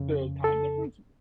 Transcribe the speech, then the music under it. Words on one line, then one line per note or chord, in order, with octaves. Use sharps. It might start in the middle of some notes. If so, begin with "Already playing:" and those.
The time difference?
Already playing: F2 C#3
A4